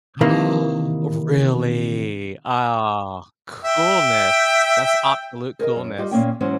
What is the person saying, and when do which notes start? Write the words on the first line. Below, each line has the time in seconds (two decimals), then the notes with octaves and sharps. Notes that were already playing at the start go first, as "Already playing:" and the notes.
Ah, oh, really? Ah, coolness. That's absolute coolness,
0.21 C3 D#3 E3 A#3
3.65 E5 G5
5.59 G#4 A#4 C5 D#5
5.76 F#2
5.98 G3 F4 G4 D#5
6.11 A#2 A#3 C#4 G5
6.41 G#2 E3 F#3 C#4 F#4 C5